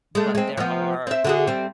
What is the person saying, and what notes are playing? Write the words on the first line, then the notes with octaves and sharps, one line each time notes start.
But there are
G#3 A3
G#3 C4
F3 B3
C4 E5
D3 F#4 G#4
G3 C4